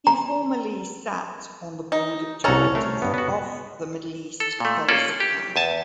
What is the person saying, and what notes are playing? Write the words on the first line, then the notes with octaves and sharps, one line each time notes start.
He formerly sat on the Board of Directors of the Middle East Policy Council.
A#5
D#4
C2 C#4 F#4 G#4 A4 A#5
A3 A#4 C5
G2 B3
B3 F#4
A4
A#2 A3
A#3 C#4 F4 A4 D5
G4
E2 G#5 A5